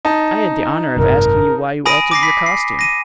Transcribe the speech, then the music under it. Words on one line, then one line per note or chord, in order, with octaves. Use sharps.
I had the honor of asking you why you altered your costume.
D#4 A5
G#1 F#2 C3 A#4
G#5 B5 D#6 A#6 D7 D#7
D6 A#6 C7
B5 B6
C7
A#6 D#7